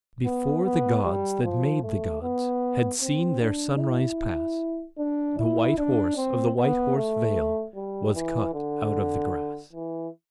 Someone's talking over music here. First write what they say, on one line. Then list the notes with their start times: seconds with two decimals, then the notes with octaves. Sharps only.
Before the gods that made the gods Had seen their sunrise pass, The White Horse of the White Horse Vale Was cut out of the grass.
0.25 B3
0.64 B3
1.04 G3
1.43 F3
1.83 A3
2.22 B3
3.02 C4
3.41 D4
3.80 E4
4.98 D4
5.38 E4
5.78 D4
6.17 C4
6.57 B3
6.96 A3
7.75 G3
8.15 E3
8.54 D3
9.73 E3